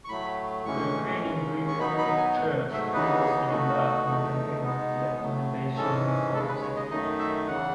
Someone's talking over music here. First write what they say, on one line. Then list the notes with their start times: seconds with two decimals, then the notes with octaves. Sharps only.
The Ukrainian Greek Catholic Church previously embarked on a campaign of de-Latinization reforms.
0.05 C#6
0.08 A2 F#3 A3 B5
0.66 A2 E3 G#3 C#4 C#6
1.23 D#2 D#3 G#3 C#4
1.68 C#6
1.79 B2 F#3 B3 D#4 B5
1.98 B5
2.17 G#5
2.36 G#2 F#3 A3 F#5
2.73 E5
2.93 D#2 C#3 E3 B3 D#4 B4
3.21 G#4
3.49 B2 A3 D#4 F#4
4.06 E2 B2 A3 D#4
4.63 B2 G#3 B3 D#4
5.19 A2 F#3 A3
5.77 G#2 E3 G#3 C#4 A4
6.34 D#2 C#3 G#3 A4
6.48 B4
6.62 C#5
6.77 D#5
6.90 F#2 D#3 A3 D#4 D#5
7.19 E5
7.47 E2 C#3 E3 F#5